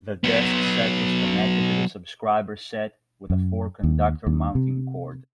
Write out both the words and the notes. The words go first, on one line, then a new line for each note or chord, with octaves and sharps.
The desk set was connected to the subscriber set with a four-conductor mounting cord.
F#3 B3
F#2
D#2
D#2
C3